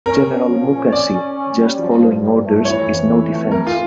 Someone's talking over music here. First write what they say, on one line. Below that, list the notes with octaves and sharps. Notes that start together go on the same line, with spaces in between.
General Mukasey, just following orders is no defense!
C#4 A#4
A#2
F3
C#4
C#4 D5
C#4
C#4
G3
F3
G2
G2
A3
E3 C#5
F2
E3
A3
E3 A#4
F4